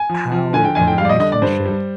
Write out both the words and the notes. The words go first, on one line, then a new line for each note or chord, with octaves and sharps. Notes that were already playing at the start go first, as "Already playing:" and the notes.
how a relationship
Already playing: G#5
F3
F3
D3 G#5
G5
F2 G#5
G5
G3 F5
D5
D#5
D3 D#5
D5
G2 C5
G3